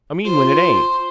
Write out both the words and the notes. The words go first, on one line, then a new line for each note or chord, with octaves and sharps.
"I mean when it ain't."
F4 C5